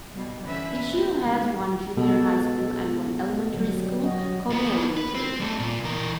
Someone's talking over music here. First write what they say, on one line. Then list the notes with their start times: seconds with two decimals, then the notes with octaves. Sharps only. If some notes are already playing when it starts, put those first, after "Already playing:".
Ichiu has one junior high school, and one elementary school, Komi Elementary.
0.13 B2 G3
0.45 D3 E3 C#4 B4 E5
0.89 B2 A3 C4
1.22 A#2 D#3 E3 G3 G#3 A#3
1.97 B2 G#3 A4
3.54 D3 F#3 G3
4.04 F#3 F#4 D#5
4.50 F2 B3
4.97 B4
5.15 C4
5.41 G3 A3
5.59 A#2
5.84 E3 A#4